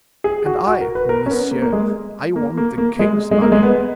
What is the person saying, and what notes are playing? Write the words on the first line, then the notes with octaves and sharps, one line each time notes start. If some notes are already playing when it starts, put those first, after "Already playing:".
"And I, monsieur, I want the king's money."
G#4
F#4
F#4
A#4
B4
A#4
C#4
B3
A#3
A#3
G#3
A#3
A#3
A#3
G#3
G#3
A#3
G#3
B3